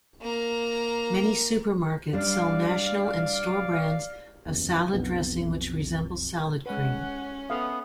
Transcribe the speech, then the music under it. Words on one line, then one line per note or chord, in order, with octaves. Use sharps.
Many supermarkets sell national and store brands of salad dressing which resemble salad cream.
A#3 A#5
G3 D4 D5 F5
F#1 E2
B1 F2 B3 D4
G#3 C#4 B4 F#5
B3 A4 E5 F5 D#6